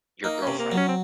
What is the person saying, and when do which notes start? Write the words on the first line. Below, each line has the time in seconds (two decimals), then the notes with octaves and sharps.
your girlfriend,
0.24 A#3 D#4
0.42 C#4
0.47 C3
0.59 A#3
0.72 F#3
0.78 C#4
0.88 C4